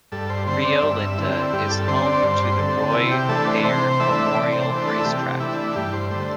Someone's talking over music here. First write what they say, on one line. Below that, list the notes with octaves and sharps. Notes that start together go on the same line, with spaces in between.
Rio Linda is home to the Roy Hayer Memorial Race Track.
G2 A4
C5
D3 C4 C5
D5
G2 E5
D3 C4 E4
G4
E4
G2 G4
A4
D3 C4 C5
D5
G2 C5
D3 C4 A4
C3 E4
G4
E3 A3 D4 A4
C5
C3 C5
E3 A3 D4 E5
C3 D5
C5
A4
E3 A3 D4 C5
A4
E4
C3 G4
E3 A3 D4 E4
G2 G4
C5
D3 A3 C5